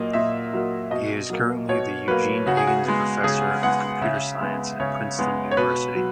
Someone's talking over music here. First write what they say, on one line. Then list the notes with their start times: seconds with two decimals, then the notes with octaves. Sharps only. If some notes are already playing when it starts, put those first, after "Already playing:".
He is currently the Eugene Higgins Professor of Computer Science at Princeton University.
Already playing: A#2 F#3 A#3 D#5
0.13 A#2 E5
0.53 F#3 A#3
0.91 B2 D#5
1.30 F#3 A#3
1.69 B2 C#5
2.08 F#3 A#3 B4
2.46 C#3 F#4
2.57 G#4
2.67 F#4
2.85 G#3 B3
3.24 C#3 G#4
3.63 G#3 B3 F#5
4.01 C#3 E5
4.41 G#3 B3
4.80 C#3 C#5
5.19 G#3 B3
5.51 C#5
5.57 B2 B4
5.95 F#3